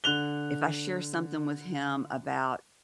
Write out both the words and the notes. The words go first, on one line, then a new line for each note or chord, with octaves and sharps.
if I share something with him about
D3 F#6 F7 G7